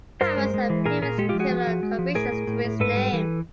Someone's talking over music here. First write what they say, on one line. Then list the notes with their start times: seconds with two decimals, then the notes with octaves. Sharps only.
Thomas had previous criminal convictions to his name.
0.21 G2 A#4 C5
0.37 G#3
0.54 G#3
0.70 E3
0.86 A#2 G#4 A#4
1.02 A#2 G#4 A#4
1.18 G#3 G4 A4
1.29 F4 G4
1.34 F3
1.39 F#4 G#4
1.50 F3
1.67 F3
1.83 G#3
1.99 F3
2.15 A2 G#4 A#4
2.32 A2
2.47 A2
2.65 A2
2.80 G#2 A4 B4
2.96 G3
3.13 E3